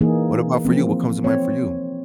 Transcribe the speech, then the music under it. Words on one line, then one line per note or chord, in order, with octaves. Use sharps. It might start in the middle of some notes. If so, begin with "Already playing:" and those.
what about for you? What comes to mind for you?
E3 A#3 D#4 G#4
F3 A#3 C4
C4 C#5